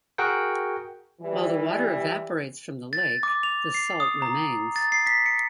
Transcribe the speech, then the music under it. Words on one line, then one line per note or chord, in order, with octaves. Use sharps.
While the water evaporates from the lake, the salt remains.
F#4 G#4 A#4 F#5 G5
E3 G3
A6
D6
F7
C7
D#6
A#5
A6
C7
B6
C#7